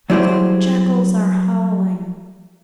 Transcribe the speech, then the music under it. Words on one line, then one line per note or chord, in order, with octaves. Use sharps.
How the jackals are howling....
F#3 G3 E4 G4 G#4 C5